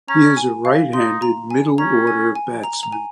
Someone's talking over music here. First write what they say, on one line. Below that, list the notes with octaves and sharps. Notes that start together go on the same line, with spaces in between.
He is a right-handed middle-order batsman.
C#4 A#5
G#5
F5
D#4 C6
A#5
G#5
C#4 A#5
G#5
G#5
A#5
A#5
G#5